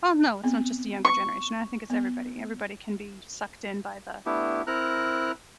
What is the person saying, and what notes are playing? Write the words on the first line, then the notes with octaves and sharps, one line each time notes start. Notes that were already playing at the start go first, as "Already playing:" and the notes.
Oh, no, it's not just the younger generation, I think it's everybody. Everybody can be sucked in by the
B3 C4
C#6
B3
A3 B3 D4 E4 G4
C4 E4 A#4 A#5 F6 F#6